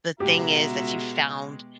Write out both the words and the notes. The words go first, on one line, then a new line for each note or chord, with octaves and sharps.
the thing is that you found
C#2 B2 G#3 F#4 G4 E5 A#5